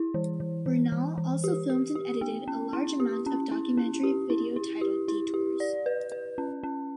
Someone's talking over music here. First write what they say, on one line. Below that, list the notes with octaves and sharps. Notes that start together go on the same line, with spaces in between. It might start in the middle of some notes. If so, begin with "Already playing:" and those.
Bernal also filmed and edited a large amount of the documentary video titled Detours.
Already playing: E4
E3
E3
E3
E3
E3
G4
G4
G4
B3
C#4
E4
G4
C#4
E4
C#4
G4
E4
E4
G4
E4
G4
D5
B4
B4
C#4
C#4